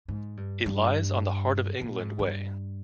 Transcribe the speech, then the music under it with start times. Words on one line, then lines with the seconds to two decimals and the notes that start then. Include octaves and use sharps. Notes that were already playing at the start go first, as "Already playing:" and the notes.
It lies on the Heart of England Way.
0.08 G#2
0.37 G2
0.66 G2
1.81 A#2
2.00 G#2
2.19 G2